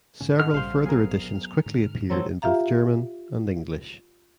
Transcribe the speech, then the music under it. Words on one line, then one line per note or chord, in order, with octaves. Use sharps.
Several further editions quickly appeared in both German and English.
G#2 C#3 C#4
A4 D#5 F#5 F6
A#1 G3 C5 F5 C7
F#3 B3 G#4 A#4
G#2 D3
E3 F#3 G3 A#3 C4 A4
F4 G4 E5 F5 A#5